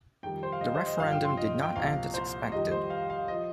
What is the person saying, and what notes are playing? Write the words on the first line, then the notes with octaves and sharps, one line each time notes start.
The referendum did not end as expected.
F2 D#3 G3 G5
C5
F5
D#5
C5
D#5
G2 F3 F5
G5
C6
D#5
G5
C2 A#2 F3 F5
C5
F2 D#3 G3 D#5
C5
F5
F5
F3 D#5